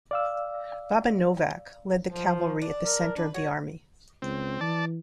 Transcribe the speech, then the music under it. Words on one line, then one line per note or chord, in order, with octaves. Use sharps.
Baba Novac led the cavalry at the center of the army.
D5 F5 E6
F3
D4
A#4
D4 B4
F#4 C#5
C#2 C4
E3 D5 A5